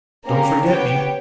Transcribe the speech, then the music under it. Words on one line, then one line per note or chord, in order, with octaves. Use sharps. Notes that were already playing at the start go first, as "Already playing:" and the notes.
"Don't forget me."
A#3 C#4 G4 A#4
B3 G4 C#5 G5